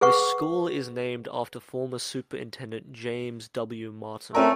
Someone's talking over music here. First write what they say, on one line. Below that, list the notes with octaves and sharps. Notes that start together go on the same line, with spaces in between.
The school is named after former Superintendent James W. Martin.
G#4 B4 F#5 C#6
A3 C4 C#4 A#4